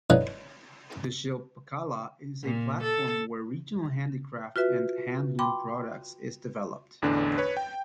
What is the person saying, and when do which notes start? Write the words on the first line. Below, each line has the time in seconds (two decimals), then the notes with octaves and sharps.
The Shilpkala is a platform where regional handicraft and hand-loom products is developed.
0.10 D3 E3 D#4 B4 C#5 F5
2.42 A#2
2.82 A4
4.56 F4 F#4 B4 E5
5.39 G5 B5 C6 D6
7.02 A1 E2 D3 D4
7.38 B4 C#5
7.57 G5